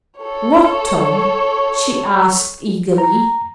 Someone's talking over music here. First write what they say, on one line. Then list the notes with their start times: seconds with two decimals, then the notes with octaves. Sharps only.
"What, Tom?" she asked eagerly.
0.20 A4 C#5
2.98 A#5